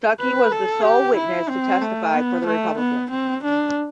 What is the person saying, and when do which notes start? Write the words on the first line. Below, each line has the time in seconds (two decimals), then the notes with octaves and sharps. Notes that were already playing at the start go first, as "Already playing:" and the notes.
Stuckey was the sole witness to testify for the Republicans.
0.20 B4
0.52 A4
0.84 G4
1.17 E4
1.49 C4
1.82 A3
2.14 B3
2.47 A3
2.78 B3
3.11 C4
3.44 D4